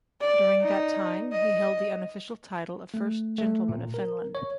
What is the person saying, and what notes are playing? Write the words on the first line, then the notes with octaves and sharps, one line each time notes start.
During that time, he held the unofficial title of First Gentleman of Finland.
D5
D#4
D#5
A3
A3
A#2
A#4
C#5